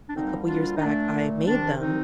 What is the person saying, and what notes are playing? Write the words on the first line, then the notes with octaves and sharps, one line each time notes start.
a couple years back, I made them,
D4
D2 D3 G3 A#3 C4 D#4
D4 F4
D#4
A#2 A3 D4
C2 C3 D#3 D4
C4 D#4